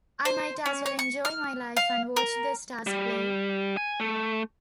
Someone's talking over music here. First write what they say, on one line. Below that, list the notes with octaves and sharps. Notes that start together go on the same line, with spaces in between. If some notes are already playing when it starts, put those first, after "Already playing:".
I might as well enjoy my life and watch the stars play.
C5
C#4
C#5
C#6
F6
F5
A#4
G3
G#5
A3